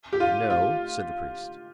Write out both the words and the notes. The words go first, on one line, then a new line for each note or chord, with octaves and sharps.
"No," said the priest.
G4
F4
F4